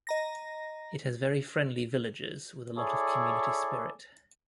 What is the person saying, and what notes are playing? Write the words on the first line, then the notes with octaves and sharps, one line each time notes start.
It has very friendly villagers with a lot of community spirit.
D#5 A#5 A#6
E4 G#4 A4 C#5 D5